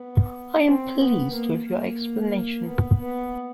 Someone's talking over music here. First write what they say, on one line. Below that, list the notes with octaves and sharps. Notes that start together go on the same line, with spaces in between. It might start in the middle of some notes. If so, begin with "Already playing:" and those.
I am pleased with your explanation.
Already playing: B3
C4
B3
A#3
A#3
B3
B3